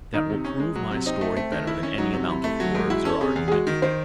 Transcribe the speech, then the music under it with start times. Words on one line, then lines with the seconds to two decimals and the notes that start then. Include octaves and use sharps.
That will prove my story better than any amount of words or argument.
0.14 D#3 D#4
0.30 C3
0.45 C#4
0.60 G#3
0.76 F#3
0.91 C3
1.06 C4 D#4
1.21 A3
1.36 A3 C4
1.52 D#3
1.67 E4
1.83 C#4
1.98 F#3 D#4
2.13 C3
2.28 C3 E4
2.44 A3
2.60 F#3
2.75 G#2
2.90 E4 F#4
3.05 C#4 A4
3.21 C3 G#4
3.36 E2
3.48 G#4
3.52 G#3 F#4
3.67 D#3
3.82 D#3 C5